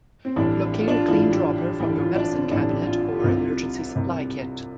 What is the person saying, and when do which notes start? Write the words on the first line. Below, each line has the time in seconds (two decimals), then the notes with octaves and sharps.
Locate a clean dropper from your medicine cabinet or emergency supply kit.
0.25 C4
0.36 A1 A2 G3 D4
0.72 G4
0.80 F4
0.88 D4
0.96 F4
1.08 A1 A2 G3 F4
1.31 G4
1.56 G4
1.80 A1 A2 G3 G4
1.98 F4
2.16 D4
2.33 C4
2.51 A1 A2 G3 D4
2.69 G4
2.87 F4
3.05 F4
3.13 G4
3.20 C2 C3 G3 F4
3.95 C2 C3 G3